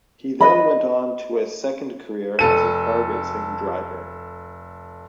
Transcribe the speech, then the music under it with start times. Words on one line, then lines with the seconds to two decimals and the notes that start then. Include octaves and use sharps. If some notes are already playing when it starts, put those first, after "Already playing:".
He then went on to a second career as a car racing driver.
0.41 B4 D#5 B5
2.39 F1 A4 D#7